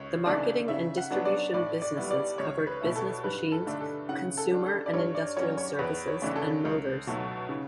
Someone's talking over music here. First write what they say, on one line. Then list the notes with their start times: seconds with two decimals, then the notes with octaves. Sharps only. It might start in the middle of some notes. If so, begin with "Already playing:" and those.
The marketing and distribution businesses covered business machines, consumer and industrial services, and motors.
Already playing: C#2 C#5
0.26 C#3 E3 A3 D4 D5
0.68 C#3 E5
0.97 F#5
1.10 F#3 B3 D4
1.25 D5
1.54 A2 D5
1.82 D5
1.97 G3 B3 E4
2.11 D5
2.38 C#2 C#5
2.67 B4
2.81 B2 A3 E4
2.96 A4
3.24 G2 B4
3.52 A4
3.66 D3 A3 D4
3.81 A4
4.09 C#3 F#5
4.37 A4
4.52 G3 D4
4.66 A4
4.86 D5
4.94 G2 C#5
5.15 D5
5.37 F#3 C#4 C#5
5.57 C#5
5.79 E2 B4
6.08 C#5
6.22 C#3 E3 A3 D4
6.36 A4
6.65 C#2
7.07 B2 F#3 A3
7.49 C#3